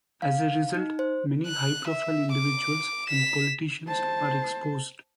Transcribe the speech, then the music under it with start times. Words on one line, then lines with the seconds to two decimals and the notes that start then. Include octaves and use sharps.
As a result, many high profile individuals and politicians are exposed.
0.22 F5
0.75 D#4
0.99 C5
1.47 F#6
1.88 E5
2.32 D6
3.07 B6 E7
3.88 C5 A5